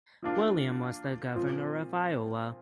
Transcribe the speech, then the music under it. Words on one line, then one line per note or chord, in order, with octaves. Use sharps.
William was the Governor of Iowa.
F3 A#3 D4 F4
A#2 F3 C4 F4